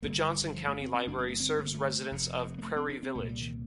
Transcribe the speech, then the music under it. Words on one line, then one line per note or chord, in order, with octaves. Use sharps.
The Johnson County Library serves residents of Prairie Village.
G1 G2 D3 A#3
D#3
D3
D#3
F3
A3
C4
C4
G1 G2 D3 D4
C4
A#3
C4
A3
A#3
A3
F1 F2 C3
A#3
A3
C4
D4
C4
C2 A#2 A3
G3
D#3